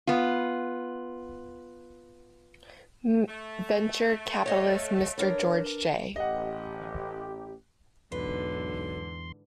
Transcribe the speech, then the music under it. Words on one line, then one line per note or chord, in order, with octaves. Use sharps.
Venture Capitalists Mr. George J.
B3 F4
A3
C#5 D#5 F5
D4 A#4 B4 C#5
A1 G4 D#5 F#5
B1 E2 G#2 D3 E3 B4 C6